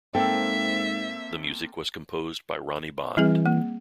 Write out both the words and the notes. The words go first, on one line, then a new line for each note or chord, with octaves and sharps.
The music was composed by Ronnie Bond.
G#2 A#3 C4 A4 E5 G5
E3 G3 C4 G#4
A#3